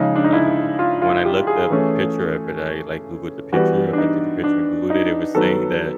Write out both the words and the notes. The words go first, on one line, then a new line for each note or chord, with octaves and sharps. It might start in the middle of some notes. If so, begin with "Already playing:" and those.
um, when I looked up a picture of it, I, like, Googled the picture of it, took a picture, and Googled it. It was saying that
Already playing: C#3 F3 G#3 C#4 D#4
D4
D#4
E4
F4
F4
G4
G#4
E3 A3 C#4
E3 G3 B3 F#4
D4
D#4
D4
D#4
D#3 F#3 B3 A4